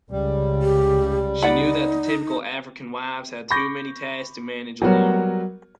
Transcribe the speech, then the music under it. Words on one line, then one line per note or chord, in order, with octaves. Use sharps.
She knew that the typical African wives had too many tasks to manage alone.
C#2 C#3 G3
G4
D#4 D5 F#5 B5
B5 C#6 D6 G6 A#6
F#3 G3 B3 F#4 A#4 C#5